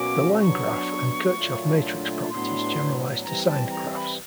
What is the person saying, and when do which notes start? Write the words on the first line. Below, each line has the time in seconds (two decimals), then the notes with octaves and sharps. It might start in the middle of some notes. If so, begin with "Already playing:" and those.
The line graph and Kirchhoff matrix properties generalize to signed graphs.
Already playing: B2 F#3 A#3 C#4 F#4 D6
0.41 F#3 B3 D4 C#6
1.35 A#2 F#3 A3 D4 F4
2.30 A2 F#3 B3 D4 C6
3.24 E3 G3 C4 A#5
3.47 A5
3.70 A#5
3.95 B5